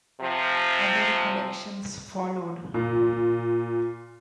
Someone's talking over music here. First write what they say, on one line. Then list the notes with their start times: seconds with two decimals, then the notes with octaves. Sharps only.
Other collections followed.
0.21 C3 F3
2.74 A#2